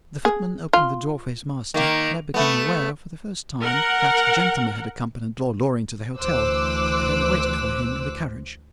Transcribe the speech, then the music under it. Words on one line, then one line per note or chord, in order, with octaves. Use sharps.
The footman opened the door for his master, and I became aware, for the first time, that a gentleman had accompanied Lord Loring to the hotel, and had waited for him in the carriage.
G#4
F4
D#3 A#3
A3 B3
A#4 F#5
D2 E3 C5 D6 E6 F#6